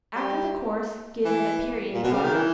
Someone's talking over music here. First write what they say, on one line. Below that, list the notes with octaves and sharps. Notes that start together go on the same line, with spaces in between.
After the course give an aperient powder.
G3
E3
A#2
B2
C#3
D#3
E3